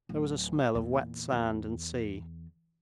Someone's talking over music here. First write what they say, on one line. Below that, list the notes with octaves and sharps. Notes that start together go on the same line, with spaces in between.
There was a smell of wet sand and sea.
D1
E2 A#2
E2